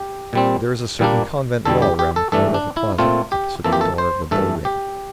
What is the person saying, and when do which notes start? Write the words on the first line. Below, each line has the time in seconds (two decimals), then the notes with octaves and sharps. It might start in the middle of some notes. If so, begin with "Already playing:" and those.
There is a certain convent wall round the corner of the Plaza, opposite the door of the Bull Ring.
Already playing: G4
0.33 A#2 G3 C4
0.99 A#2 G3 A#3 D4
1.65 E2 D3 G3 A4
1.82 G4
1.99 G4
2.16 A4
2.32 G2 E3 A3 D4 A4
2.54 D4
2.77 E4
2.98 A#2 A3 C4 F4
3.32 G4
3.64 F2 E3 A#3 A4
3.72 G4
3.81 A4
3.98 C5
4.31 G2 E3 A3 A4
4.65 G4